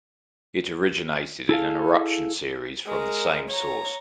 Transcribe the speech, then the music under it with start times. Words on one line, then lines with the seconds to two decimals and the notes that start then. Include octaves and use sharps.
It originated in an eruption series from the same source.
1.49 E4 G#4 A4 F5
2.87 G#3 A#4
3.49 C#5 A#5